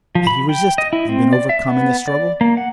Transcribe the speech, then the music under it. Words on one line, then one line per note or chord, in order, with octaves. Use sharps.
Had he resisted, and been overcome in the struggle?
F3
B5
G5
D#5
E4
C4
D5
E5
B3
D5
A#3
F#5